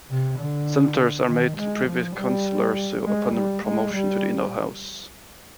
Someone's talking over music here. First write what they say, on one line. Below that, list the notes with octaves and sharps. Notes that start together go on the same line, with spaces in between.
Senators are made Privy Counsellors upon promotion to the Inner House.
C3
D3
D#3
G#3
F3
G3
G#3
G3
G#3
G3